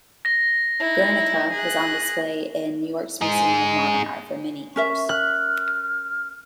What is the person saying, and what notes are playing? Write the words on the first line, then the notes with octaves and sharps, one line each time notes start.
"Guernica" was on display in New York's Museum of Modern Art for many years.
A#6
D#4 E4
G#4 F#6
D#4 G#4
C#4 A#4 E5 C#6
F6 F#6